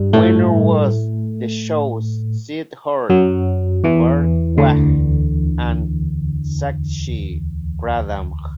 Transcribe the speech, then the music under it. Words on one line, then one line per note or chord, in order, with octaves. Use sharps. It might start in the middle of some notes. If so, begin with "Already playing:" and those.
Winner was the shows Sidharth Bhardwaj and Sakshi Pradhan.
Already playing: G2 G3
A2 A3
F#2 F#3
E2 E3
D2 D3